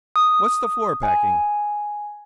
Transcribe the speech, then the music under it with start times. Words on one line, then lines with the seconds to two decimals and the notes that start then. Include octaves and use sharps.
What's the floor-packing?
0.16 D#6
1.03 G#5